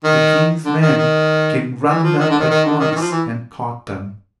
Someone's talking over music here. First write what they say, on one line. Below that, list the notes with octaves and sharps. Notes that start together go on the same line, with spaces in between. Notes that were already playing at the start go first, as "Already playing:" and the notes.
The King's men came running up at once and caught them.
D#3
D3
D#3
D#3
E3
F3
D#3
D3
D#3
D#3
D3
D#3
D#3
E3
F3
E3